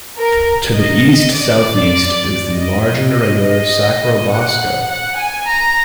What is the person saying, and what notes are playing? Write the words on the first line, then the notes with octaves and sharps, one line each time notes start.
To the east-southeast is the large and irregular Sacrobosco.
A#4
D#5
D5
D#5
D#5
D#5
F#5
F#5
G#5
A#5